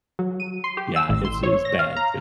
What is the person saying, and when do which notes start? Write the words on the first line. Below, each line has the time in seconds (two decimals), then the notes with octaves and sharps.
Yeah, it's it's bad.
0.19 F#3
0.40 D#7
0.64 C6
0.77 G4
0.96 E6
1.09 A1
1.25 C6
1.43 C#5
1.65 A#6
1.79 F5
1.96 A#5